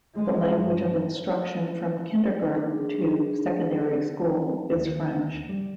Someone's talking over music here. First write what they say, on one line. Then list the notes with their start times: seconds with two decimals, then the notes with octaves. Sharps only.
The language of instruction from kindergarten to secondary school is French.
0.15 G#3
0.50 G2
2.55 D4 G#4
4.75 D#2
5.49 G3